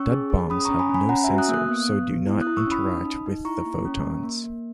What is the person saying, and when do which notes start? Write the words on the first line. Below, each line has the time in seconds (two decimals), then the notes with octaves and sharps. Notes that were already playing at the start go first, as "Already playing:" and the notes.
Dud bombs have no sensor, so do not interact with the photons.
Already playing: C#4 C#6 E6
0.11 G#4
0.30 G#4
0.50 C#4 B5 D#6
0.60 D#6
0.65 A#5 C#6
0.71 C#4
0.79 G#5 B5
0.89 C#4
0.94 G#5 B5
1.09 C#4 F#5 A#5
1.24 F#4 E5 G#5
1.38 D#6 F#6
1.48 A#3
1.54 D#6 F#6
1.68 B3
1.88 B3
2.08 B3
2.27 E4
2.42 D#6 F#6
2.47 E4
2.57 C#6 E6
2.67 C#4 B5 D#6
2.86 D#4
3.06 D#4
3.26 D#4
3.45 E4 A#5 C#6
3.66 A#3
3.85 C#4
4.04 A#3
4.23 A#3
4.44 A#3